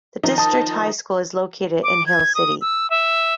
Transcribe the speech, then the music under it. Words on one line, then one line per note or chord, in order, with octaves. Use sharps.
The district high school is located in Hill City.
D#3 F3 D#4
A5 D#6
D6
G#6
D#6
E6
E5